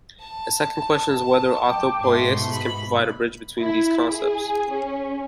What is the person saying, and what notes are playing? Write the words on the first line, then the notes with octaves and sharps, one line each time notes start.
A second question is whether autopoiesis can provide a bridge between these concepts.
A5
G5 D6
G#2 B2 A3 C6
B5
E4
G#4
C#4